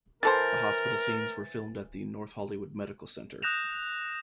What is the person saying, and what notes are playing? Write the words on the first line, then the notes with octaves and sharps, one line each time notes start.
The hospital scenes were filmed at the North Hollywood Medical Center.
E3 A4 A#4 C5 A6
D#6 F#6 G6 A#6 E7 F7